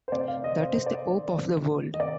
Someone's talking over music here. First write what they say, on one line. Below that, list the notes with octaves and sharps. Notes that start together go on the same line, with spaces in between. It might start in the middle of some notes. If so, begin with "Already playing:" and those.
That is the hope of the world.
C5
C3 D5
F5
C3 D#5
C5
B3 C5
D5
C5
D#3
B3
D#3
D#5
C3 D5